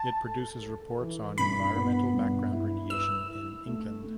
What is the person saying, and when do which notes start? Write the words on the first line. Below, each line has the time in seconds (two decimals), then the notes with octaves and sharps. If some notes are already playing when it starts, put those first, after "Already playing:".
It produces reports on environmental background radiation in England.
Already playing: A5
0.25 A4
0.62 A4
1.00 E3
1.38 G2 B5
1.76 B3
2.14 G2
2.52 E4
2.90 B4 E6
3.27 E4
3.66 A3
4.03 A3